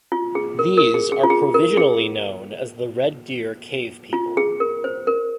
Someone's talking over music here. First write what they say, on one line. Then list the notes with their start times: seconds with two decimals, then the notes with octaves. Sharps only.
These are provisionally known as the Red Deer Cave people.
0.12 F4
0.35 G#4
0.59 A#4
0.78 A#4
0.94 G#4
1.12 G#4
1.23 F4
1.30 G#4
1.54 A#4
1.77 G#4
4.13 F4
4.37 G#4
4.60 A#4
4.84 C5
5.07 A#4